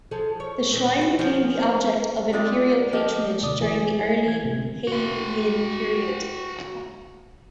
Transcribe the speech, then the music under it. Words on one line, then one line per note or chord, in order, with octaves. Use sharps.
The Shrine became the object of Imperial patronage during the early Heian period.
F3 G#4 A4
C#5
E2 A#2 D#3
F#4
F3 C#4 G#4
G3 G#3 C4 F4 D5
F3 G4 D#5
D2 B2 D5 D#6
C2 E3 G#4
G#5
E3 G#6
C3
F#4 F5